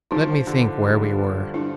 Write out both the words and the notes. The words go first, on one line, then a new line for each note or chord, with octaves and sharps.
LET me think where we were.
F3 D#4 F4
D3
G2
G2
F3 D4 E4